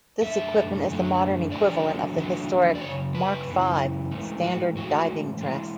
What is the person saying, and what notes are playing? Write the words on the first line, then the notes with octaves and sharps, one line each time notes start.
This equipment is the modern equivalent of the historic Mark Five "Standard Diving Dress".
F#2 D3 A3 E5
F#2 D3 A3
E2 D3 F#3 A3 D5
E2 D3 F#3 A3
D5
F#2 C#3 C#5
B4
F#2 C#3 E3
G#2 E3 A3
F#4
G#2 E3 A3 F#4
G#2 E3 G#3